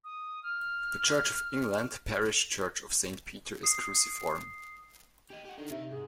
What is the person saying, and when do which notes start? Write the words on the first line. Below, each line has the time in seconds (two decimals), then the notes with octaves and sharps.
The Church of England parish church of Saint Peter is cruciform.
0.04 D#6
0.43 F6
3.63 D#6 C7
5.30 G4 D#5
5.45 G4 F#5
5.58 D3 D#4 A#4
5.71 C3 E5
5.91 G#2 G#4